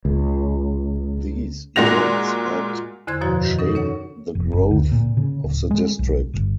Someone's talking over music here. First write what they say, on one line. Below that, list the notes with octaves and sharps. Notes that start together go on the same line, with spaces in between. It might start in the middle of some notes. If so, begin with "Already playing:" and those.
These events helped shape the growth of the District.
C#2
A#2 G#3 F#4 A#6 F7
E2 D3 E4 C5 C6 G#6
F#2 B2 F3 F#4 C#5 G#6
D#3
C#4 D#4 A4 A#4
C#4 C#5 F#5
F1
F#1
D2
A#2
C#3
D1
G#3
B1
G1